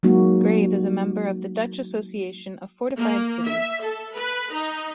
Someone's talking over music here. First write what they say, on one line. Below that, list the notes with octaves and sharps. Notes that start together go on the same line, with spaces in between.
Grave is a member of the Dutch Association of Fortified Cities.
F#3 G#3 A#3 D#4 F#4
A#3
E5
A4
B4
D#4